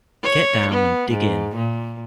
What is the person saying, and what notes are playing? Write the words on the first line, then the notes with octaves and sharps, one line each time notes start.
Get down and dig in.
C#5
B3
G#2
A#2